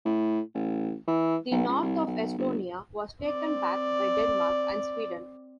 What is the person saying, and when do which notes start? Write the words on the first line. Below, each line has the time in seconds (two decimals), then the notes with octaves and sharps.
The north of Estonia was taken back by Denmark and Sweden.
0.05 A2
0.54 A1
1.08 E3
1.51 B1
1.68 C#2
1.83 C2
2.07 B1
2.38 G1
3.23 C4 D5